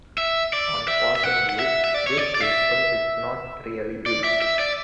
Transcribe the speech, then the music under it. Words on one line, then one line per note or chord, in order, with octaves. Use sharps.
On passing loops this principle is not really used.
E5
D5
E5
E5
F#5
F#5
E5
E5
D5
C#5
D5
D5
E5
D5
E5
E5
D5